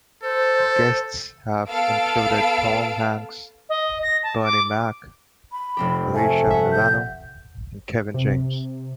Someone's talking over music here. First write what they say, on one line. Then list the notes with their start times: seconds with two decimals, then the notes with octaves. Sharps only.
Guests have included Tom Hanks, Bernie Mac, Alyssa Milano and Kevin James.
0.23 A4 C5
1.69 B3 A4 F5 E6 D7
3.69 D#5
4.02 A#6
4.23 A5
4.43 D6
5.52 B5
5.77 F1 C4 G4
6.14 A3 G#5
6.50 E5 F#5
6.71 G6
8.14 C3